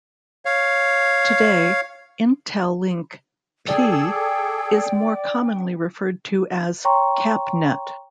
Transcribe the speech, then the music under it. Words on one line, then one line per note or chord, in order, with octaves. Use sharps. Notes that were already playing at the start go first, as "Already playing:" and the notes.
Today, Intelink-P is more commonly referred to as CapNet.
C#5 F5
G#4 A4 D5 G5
C#5 G5 A#5 C6 C#6